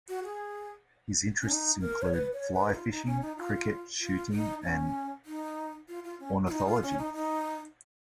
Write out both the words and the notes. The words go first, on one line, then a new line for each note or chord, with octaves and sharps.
His interests include fly fishing, cricket, shooting and ornithology.
F#4
G#4
C#4
D#4
A#4
C#5
B4
C#5
B4
D#4
F4
D#4
C#4
D#4
F4
F4
D#4
C#4
D#4
F4
F4
C#4
F4
D#4
F4
C#4
D#4
D#4